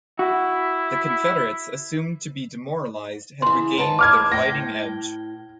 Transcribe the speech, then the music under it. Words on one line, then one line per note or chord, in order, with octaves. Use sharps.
The Confederates, assumed to be demoralized, had regained their fighting edge.
E4 F#4
C#3 E3 C6
G#2 B4 A5
D6 F6 G#6
A2 G5 A#6